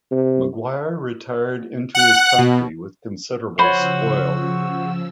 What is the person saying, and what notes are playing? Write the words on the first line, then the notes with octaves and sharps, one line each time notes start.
Maguire retired into his country with considerable spoil.
C3
F#5 F#6
B2
C#3 F3 F#4 C5 C#5 B5 C6 E6